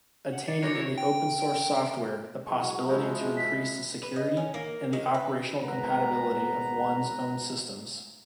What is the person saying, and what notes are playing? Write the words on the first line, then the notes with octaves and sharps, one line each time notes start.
Attaining in the open source software the possibility to increase the security and the operational compatibility of one’s own systems.
F#5
D5 C7 C#7
D#3 E3 F#3 D4 C#5 A#6
E4
G5
F#3 G#3 E4 C#6
F3 G#3 D#4 E4 G#4
B6
B4
D#5
C#4
A#3
D#3
B4
G#1 C#2 B3 B4 A#5